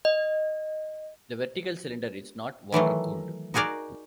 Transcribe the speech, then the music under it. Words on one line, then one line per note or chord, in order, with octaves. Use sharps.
The vertical cylinder is not water cooled.
D#5
D#3 E3 F#3 A3
D#4 F#4 G#4 A#4 D5